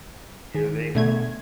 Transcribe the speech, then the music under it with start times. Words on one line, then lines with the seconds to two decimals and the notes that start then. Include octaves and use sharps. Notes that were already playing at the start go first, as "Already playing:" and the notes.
Here they come.
0.54 D#3 G#4
0.95 B2 D3 A3 G#6